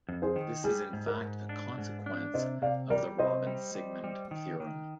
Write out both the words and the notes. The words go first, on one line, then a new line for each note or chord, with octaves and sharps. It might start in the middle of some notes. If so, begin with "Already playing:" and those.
This is in fact a consequence of the Robbins-Siegmund theorem.
F2
G#4 C5
D#3
G3 G#4
G#2
A#4
G#2
D4
G#2
D4
C3 C5 D#5
C3 D5 F5
G3 A#4 D5
C3 C5 D#5
G3
G3
G3
D#3
D#3